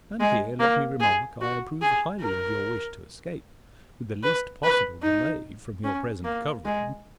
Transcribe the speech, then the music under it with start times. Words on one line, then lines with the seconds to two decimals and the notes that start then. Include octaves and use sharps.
And here, let me remark, I approve highly of your wish to escape, with the least possible delay, from your present covering.
0.20 G#3
0.59 A#3
1.00 G#4
1.41 F#4
1.81 G#4
2.21 A#4
4.23 B4
4.63 B4
5.03 D#4
5.83 C#4
6.24 A#3
6.65 G#3